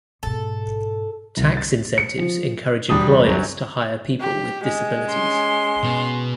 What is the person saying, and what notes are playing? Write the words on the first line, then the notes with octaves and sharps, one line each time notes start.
Tax incentives encourage employers to hire people with disabilities.
G#2 B2 A4
C2
A6
C#7
F3
E1 G3 D4 D#6
C2 F#2 F#3
G4
G#3
C#4 C6
B2 B3